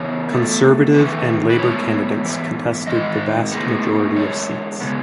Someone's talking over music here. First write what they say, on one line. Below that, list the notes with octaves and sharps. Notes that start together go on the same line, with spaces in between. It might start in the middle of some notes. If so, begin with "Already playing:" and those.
Conservative and Labour candidates contested the vast majority of seats.
Already playing: C#3 E3 B3 C#5
E2 B2 A3
E2 D#3 A3 B4
B4
A2 G#3 B3 C#5
G#2 E3 B3
G#2 D#3 G#3 D#5
A2 G#3 B3
E2 B2 G#3 C#5
C#3 G#3 B3